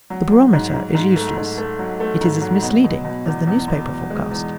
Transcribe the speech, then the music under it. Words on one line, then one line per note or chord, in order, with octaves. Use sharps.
The barometer is useless: it is as misleading as the newspaper forecast.
F#3
F#3
G#2
G#2
G#2
A3
G#2
A3
F#3
A3
G#2
F#3
B2
B2
B2
E2
E2
B2
E2
G#3
E2